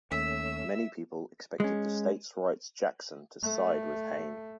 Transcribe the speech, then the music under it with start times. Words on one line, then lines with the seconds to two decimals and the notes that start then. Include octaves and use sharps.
Many people expected the states' rights Jackson to side with Hayne.
0.12 D#2 A3 C#4 E5 E6
1.60 G#3 C#4
3.43 A3